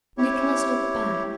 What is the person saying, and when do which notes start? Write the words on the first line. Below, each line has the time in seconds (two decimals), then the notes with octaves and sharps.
Nicholas looked back.
0.18 E4 G4 C#5